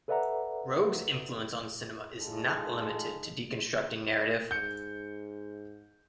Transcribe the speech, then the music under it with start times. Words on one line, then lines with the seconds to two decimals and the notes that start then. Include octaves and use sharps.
Roeg's influence on cinema is not limited to deconstructing narrative.
0.08 A4 B4 D5 E5 F#5 A#5
2.20 G#3 D#4 F4 A4
4.51 G#2 G6 C#7